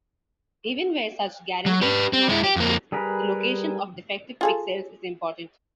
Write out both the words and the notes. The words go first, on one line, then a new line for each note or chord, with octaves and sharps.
Even where such guarantees do not exist, the location of defective pixels is important.
F#3
G4 B4
C4
G#3 E4
G4
F2 A#3
G3 G#4 A#4 B4
F4 G#4 A4